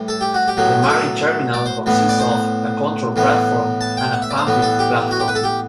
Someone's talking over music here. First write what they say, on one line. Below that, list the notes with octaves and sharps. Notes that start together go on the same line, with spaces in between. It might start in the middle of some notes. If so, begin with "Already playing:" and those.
The Marine Terminal consists of a control platform and a pumping platform.
Already playing: A2 E3 G3
A4
G4
F#4
G4
A2 F#3 B3
G4
A4
D5
C5
A2 E3 B3
D5
C5
A2 E3 B3
A5
G5
F#5
E5
D5
C5
A2 E3 B3
A4
G4
F#4
G4
B4
A4
G4